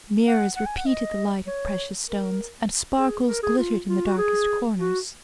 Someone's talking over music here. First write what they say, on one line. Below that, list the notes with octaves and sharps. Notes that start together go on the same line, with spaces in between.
Mirrors repeated the light of precious stones, and sparkles glittered in the darkest corners.
F#5
F#5
G#5
F#5
D#5
C#5
A#4
G#4
A#4
G#4
F4
F4
F#4
G#4
F#4